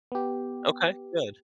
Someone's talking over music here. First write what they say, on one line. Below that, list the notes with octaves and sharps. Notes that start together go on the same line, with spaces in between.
Okay. Good.
B3 G4